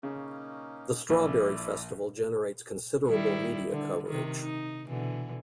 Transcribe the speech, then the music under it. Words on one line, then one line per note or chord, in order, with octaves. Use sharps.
The Strawberry Festival generates considerable media coverage.
C#3 A#3 C#4 D#4
A#1 E4 D5
D#3 G3 E4
D3
C3 D#3
D#4
B2 D3 E3